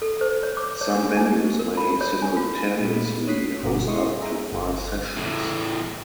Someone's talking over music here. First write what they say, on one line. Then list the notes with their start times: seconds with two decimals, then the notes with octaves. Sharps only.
Some venues may simultaneously host up to five sessions.
0.02 A4
0.21 C5
0.43 C#5
0.57 D6
0.81 C#5
0.94 D4
1.17 G#5
1.59 A#4
1.77 B5
2.01 C#5
2.22 G#5
2.37 F4
2.81 A#2 B5
3.27 C#5 D#6 F#6 B6 C7
3.63 G1 B2 B3 A#5 D6
3.86 G#3 E4 D#5 C6 C#6 D#6
4.20 G#4 E5 A#5
4.51 G1
5.16 E2 A2